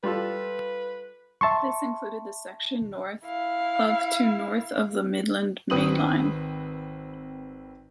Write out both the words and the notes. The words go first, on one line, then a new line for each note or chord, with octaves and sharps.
This included the section north of to north of the Midland Main Line.
G3 F4 A4 B4
E5 A5 C6 C#6
E4 F5
G#1 C4 B4 D#6 D#7 F#7